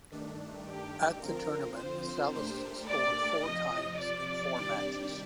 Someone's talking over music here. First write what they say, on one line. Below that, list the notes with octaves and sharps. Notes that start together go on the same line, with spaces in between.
At the tournament, Salas scored four times in four matches.
G2 D#3 A3 D4
G4
D3 F3 C4 F4 A#4
C5
A#2 A3 D4 G4 A#4
D5
F2 C3 F3 D#5
D5
C3 D#3 G3 D4 G4